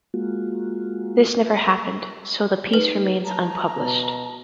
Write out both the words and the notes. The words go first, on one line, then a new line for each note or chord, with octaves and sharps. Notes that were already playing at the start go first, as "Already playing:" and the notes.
This never happened, so the piece remains unpublished.
G#3 A#3 F4 F#4
D#4 B4
A5 A#5
B2